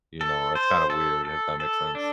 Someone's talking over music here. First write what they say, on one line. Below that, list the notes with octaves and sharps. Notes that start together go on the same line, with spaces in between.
you know, it's kinda weird, if that makes sense.
A4
C5
A4
A4
A4
D4